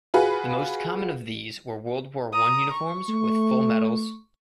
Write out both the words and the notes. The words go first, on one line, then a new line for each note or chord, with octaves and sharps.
The most common of these were World War One uniforms with full medals.
F4 F#4 G#4 B4
A#5 D#6
C#6
A3